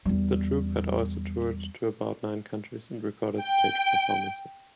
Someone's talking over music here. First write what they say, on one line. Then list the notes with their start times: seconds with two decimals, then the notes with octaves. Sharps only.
The troupe had also toured to about nine countries and recorded stage performances.
0.05 E2 G3
3.40 G5